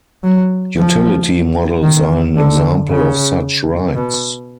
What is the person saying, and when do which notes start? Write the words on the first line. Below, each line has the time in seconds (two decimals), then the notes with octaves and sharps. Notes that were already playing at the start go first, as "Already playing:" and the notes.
Utility models are an example of such rights.
0.23 F#3
0.77 F3
1.83 D#3
2.36 D3
2.89 C#3
3.95 B2